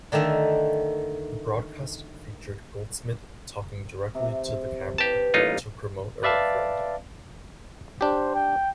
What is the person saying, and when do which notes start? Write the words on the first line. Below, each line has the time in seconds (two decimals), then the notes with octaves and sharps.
The broadcast featured Goldsmith talking directly to the camera to promote a referendum.
0.12 D3 D#3 A3 E5 A5
4.15 C3
4.98 G4 B4 G5 A5
5.34 A1 G3 A#3 D#4 F4
6.23 B4 D5 E5 F5 A5
8.01 D4 G4 C5
8.35 G5